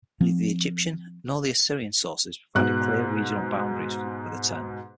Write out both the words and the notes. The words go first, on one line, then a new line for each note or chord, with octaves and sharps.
Neither the Egyptian nor the Assyrian sources provided clear regional boundaries for the term.
F3 C4
G#2 B2 F#6